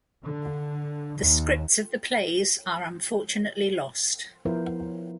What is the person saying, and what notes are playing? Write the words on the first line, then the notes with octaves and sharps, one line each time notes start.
The scripts of the plays are unfortunately lost.
D3
D#2
F3 B3 E4 A#4 C5